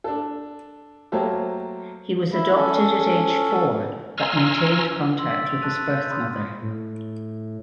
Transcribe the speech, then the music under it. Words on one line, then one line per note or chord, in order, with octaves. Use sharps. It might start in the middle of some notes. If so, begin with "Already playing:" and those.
He was adopted at age four but maintained contact with his birth mother.
D4 A4
F#3 A3 A#3 G4 A4 C5
E4
C#4 A4
G#5 A#5 C6 E6 F6
C6 E6 F#7
E6 A6 B6
D7 F7
A5 C#6 F#6 A6 D#7 F7
G6
B5 C6 D#6 F6 G6
A2